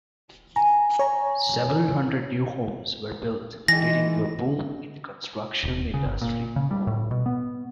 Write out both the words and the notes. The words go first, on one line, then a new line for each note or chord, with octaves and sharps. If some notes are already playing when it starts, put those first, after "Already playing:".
Several hundred new homes were built, leading to a boom in the construction industry.
G#5 A#5
C#5 A#5
D#3 E3 G#3 A#6
D#1
C#3
G1
A#2
C#3
G3
A2
B2
B3